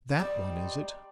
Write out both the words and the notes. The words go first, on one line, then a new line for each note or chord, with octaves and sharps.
'That one, is it?
G3 C4 D#4 D5